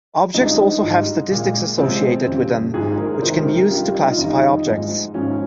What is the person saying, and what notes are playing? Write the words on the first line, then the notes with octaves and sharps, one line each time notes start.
Objects also have statistics associated with them which can be used to classify objects.
G2 F3 G#3 D#4
G#2 G3
A#2 G#3
C3 F3 G#3 C4
F2 C#3 G3
G#2 F3 G#3 G#4
A#4
A#4
C3 D#3 G#3 C5
A#4
G4
G2 G3 F4
D#4
F4
F2 D#3 G3 D#4
G#2 F3 G#3
G#2 F3 G#3 C#4